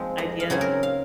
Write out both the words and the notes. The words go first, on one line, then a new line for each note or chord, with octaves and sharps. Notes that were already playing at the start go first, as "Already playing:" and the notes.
ideas and
Already playing: F3 G#3 C4
F2 D#5
F5
C#3 F#3 C4 G#4
A#4
F5